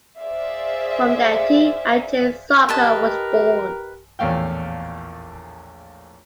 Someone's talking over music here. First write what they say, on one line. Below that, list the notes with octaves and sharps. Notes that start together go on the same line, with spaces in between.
From there T and J Soccer was born.
G#4 C5 D5 E5 F5
G4 A#4 B4 D#5 A5
A#1 E2 A2 A3 F5 G5